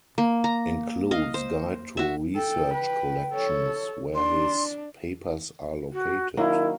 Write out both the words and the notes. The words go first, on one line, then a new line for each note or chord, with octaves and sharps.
Includes "Guide to Research Collections" where his papers are located.
A#3
A#5
D#5 F5
C5
F#4 E5
A4 G5
B4
A4 C#5
D4 C6
F#4
D#3 F#3 A#3 C#4 E4